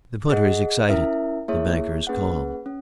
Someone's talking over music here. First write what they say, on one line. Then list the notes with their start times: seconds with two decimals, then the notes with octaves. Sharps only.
The punter is excited, the banker is calm.
0.30 G#4 D#5 F#5
0.89 C#4 E4 A#4 E5
1.48 A#3 E4 G#4 C#5 E5
2.07 A#3 C#4 G#4 B4 F#5
2.66 C#4